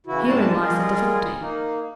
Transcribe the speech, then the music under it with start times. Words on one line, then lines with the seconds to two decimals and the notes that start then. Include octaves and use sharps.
Herein lies the difficulty.
0.06 C#3 E3 E4 F#4
0.27 G#2 G3 G#3 D4 A5
0.61 G3 G#3 F4 G#4 A#4
1.40 A#3 D#4